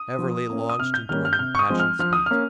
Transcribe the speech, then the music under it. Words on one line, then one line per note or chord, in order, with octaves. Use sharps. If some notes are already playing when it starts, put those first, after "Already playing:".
Everley launched into an impassioned speech.
Already playing: D#6
F3
A#3 C#4
D#6
C3 F6
G6
D#3 G3 A#3 C#4 F6
F6
G6
C3 F6
C#6
D#6
F3 G#3 C4
F6
F3 F6
D#6
A#3 C#4 F6